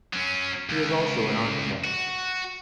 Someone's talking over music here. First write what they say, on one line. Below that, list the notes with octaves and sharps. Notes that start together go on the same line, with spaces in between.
He is also an architect.
F#3 C#4
C#2
F#4